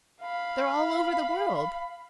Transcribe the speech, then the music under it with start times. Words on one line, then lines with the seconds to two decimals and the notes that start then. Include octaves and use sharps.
They're all over the world.
0.22 F5 B5